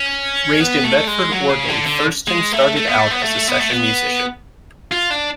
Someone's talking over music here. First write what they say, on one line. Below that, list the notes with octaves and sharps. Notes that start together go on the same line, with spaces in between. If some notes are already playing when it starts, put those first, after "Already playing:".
Raised in Medford, Oregon, Thurston started out as a session musician.
Already playing: C#4
B3
A3
G#3
F#3
C#3
D3
D3
G#3
A3
A3
B3
A3
B3
A3
B3
A3
B3
F4
D4